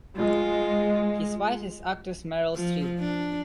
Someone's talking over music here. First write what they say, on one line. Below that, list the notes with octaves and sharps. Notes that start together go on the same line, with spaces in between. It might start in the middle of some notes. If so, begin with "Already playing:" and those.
His wife is actress Meryl Streep.
G#3 F4
F3
D4